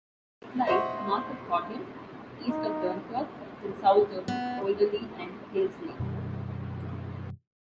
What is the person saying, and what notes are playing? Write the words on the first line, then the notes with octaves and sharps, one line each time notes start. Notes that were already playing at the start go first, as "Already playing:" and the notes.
It lies north of Horton, east of Dunkirk and south of Alderley and Hillesley.
C5 D#5 E5 F#5 C6 C#6
D#4
B3
F#2 B2 D#3 G3